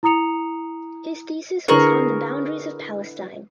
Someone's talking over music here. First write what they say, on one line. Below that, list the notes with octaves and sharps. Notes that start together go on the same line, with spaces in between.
His thesis was on the boundaries of Palestine.
E4 A#5 D#6 C#7 F7
D3 E4 G#4 A#4 B4 C#6